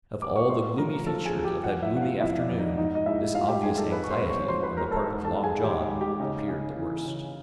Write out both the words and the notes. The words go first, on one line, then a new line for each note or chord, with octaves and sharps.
Of all the gloomy features of that gloomy afternoon, this obvious anxiety on the part of Long John appeared the worst.
D6
C#6
A3 C5 C6
F3 A#4 A#5
F3 A4 A5
G#4 G#5
F3
G4 G5
F2 F#4 F#5
E4 E5
C3 F#5
F4 F5
F2 E4 E5
D5
F2
D#4 D#5
G#2 D#4 D#5
D#5
G#3 E4 E5
G#2 F4 F5
G4 G5
G#2 G#4 G#5
A4 A5
G#3 B4 B5
C#6
C5 C6
C4
C#5 C#6
F3 C5 C6
B4 B5
G#3 A#4 A#5
A4 A5
G#2
A4 A5
G#2
G#4 G#5
D#3 G4 G5
G#3
G4 G5
C#3 D#4 D#5
C#3
E3
C#3